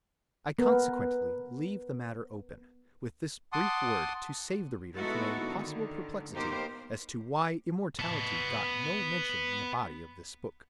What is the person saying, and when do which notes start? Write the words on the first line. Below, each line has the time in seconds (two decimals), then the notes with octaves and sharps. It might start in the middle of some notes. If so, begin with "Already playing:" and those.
I consequently leave the matter open, with this brief word to save the reader from a possible perplexity as to why immortality got no mention in the body of this book.
0.59 B3 A#4
3.53 F#5 A5 C6 D6 D#6
4.95 G#3 B3 D#4 E4 F#4 A4
5.45 D3 D#3
6.33 A#3 B3 D#4 G4 A#4 C5
7.99 B3 A5